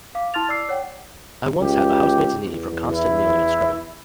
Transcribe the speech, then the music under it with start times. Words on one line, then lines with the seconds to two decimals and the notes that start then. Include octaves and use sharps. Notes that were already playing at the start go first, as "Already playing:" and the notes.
I once had the housemaid's knee from constant kneeling and scrubbing.
0.15 F5 D6
0.34 E4 A5 C6 F6 A6 F7
0.49 D5 D6 E6 C7
0.69 C#5 F#5 G5
1.59 C#2 G4
2.45 E2
2.91 E4